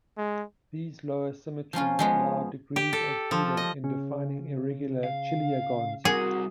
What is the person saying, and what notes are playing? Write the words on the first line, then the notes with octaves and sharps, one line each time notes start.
These lower symmetries allows degrees of freedom in defining irregular chiliagons.
G#3
F3 A#3 C#4 F4
F3 G#3 B3
G4
A4
F3
D#5
C#3
F5
G3 C4 F#4 G#4 A#4